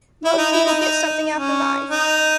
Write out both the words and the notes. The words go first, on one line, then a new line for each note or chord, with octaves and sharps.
Most people get something after life.
E4
D#4
E4
D#4
D#4
C#4
D#4